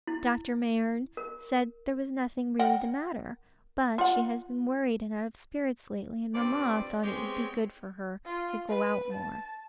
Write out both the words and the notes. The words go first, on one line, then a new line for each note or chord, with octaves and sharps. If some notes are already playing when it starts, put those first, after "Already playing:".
'Dr. Mayerne said there was nothing really the matter: but she has been worried and out of spirits lately; and mamma thought it would be good for her to go out more.'
E4
A#4
A#4 F#5 G5
F4 F#5
G2 A#2 C4 D5
G#3 B3 C4 G4 G#4 C#5
F4
B4
A5